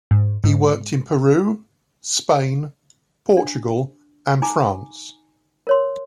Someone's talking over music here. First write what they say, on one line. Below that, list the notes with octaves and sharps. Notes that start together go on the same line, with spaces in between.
He worked in Peru, Spain, Portugal and France.
G#2
G#2
D4
D#4 G#5 A#5 D6
A#4 C#5 C6